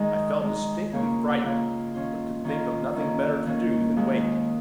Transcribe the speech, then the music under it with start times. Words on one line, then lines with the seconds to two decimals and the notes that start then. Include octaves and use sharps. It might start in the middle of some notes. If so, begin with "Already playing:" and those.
I felt distinctly frightened; but could think of nothing better to do than wait.
Already playing: D#3 G#3 D#4
0.41 D#3 G#3 D#4
0.92 C#3 A#3 F4 C#5
1.43 C#3 A#3 F4 C#5
1.94 D#3 C#4 F4
2.44 D#3 C#4 F4
2.95 D#3 A#3 C#4
3.46 D#3 A#3 C#4
3.96 D#2 D#3 G#3